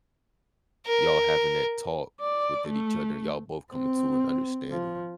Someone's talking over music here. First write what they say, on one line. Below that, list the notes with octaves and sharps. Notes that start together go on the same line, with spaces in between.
y'all having that talk within each other, y'all both coming to an understanding.
A#4
D5
A3
C4
F3